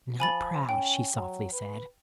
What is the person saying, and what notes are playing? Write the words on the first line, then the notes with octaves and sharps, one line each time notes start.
"Not proud," she softly said.
F3 G#5 B5 A6
C#4 G5
F#3
B4